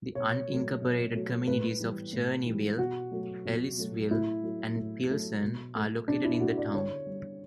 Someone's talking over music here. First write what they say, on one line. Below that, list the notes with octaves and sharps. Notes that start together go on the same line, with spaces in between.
The unincorporated communities of Cherneyville, Ellisville, and Pilsen are located in the town.
B2 C#5
F#3 A3
B2
F#3 A3
A2 B4
E3 G3
A2
E3 G3
B2 F#4
F#3 A3
B2
F#3 A3
A2 E4
F#3 A3
A2
F#3 A3
B2
A3
B2 D4
E4
A3 F#4
D5
D3 C#5
G3